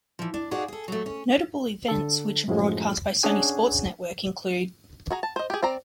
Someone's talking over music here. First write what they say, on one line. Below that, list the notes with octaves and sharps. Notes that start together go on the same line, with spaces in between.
Notable events which are broadcast by Sony Sports Network include.
E3 F3
D4
D4 D#4 F4 F#4 G#4 D5
G#4 A4
F#3 A3
C#4
D3 A4
F#2 A2 F3 F#3 G#3
C#4 D4 G#4 C#5 F#5 G#5
F#4 G#4 A#5
A5
C5 D#5
G4 G#4
C4 D5 A#5